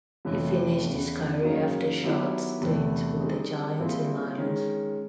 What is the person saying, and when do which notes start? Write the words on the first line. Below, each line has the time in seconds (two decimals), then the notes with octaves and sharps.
He finished his career after short stints with the Giants and Lions.
0.25 F2 C3 E3 A3 C#4
0.84 E2 C#3 E3
1.42 F#2 C#3 F#3 A#3 D#4
2.02 D#3 F#3 B3 E4 G4
2.61 E2 C3 E3 A3
3.19 G3 C4 D#4 G#4
3.79 A#2 G3 C4 E4 G#4
4.38 D#3 G#3 C#4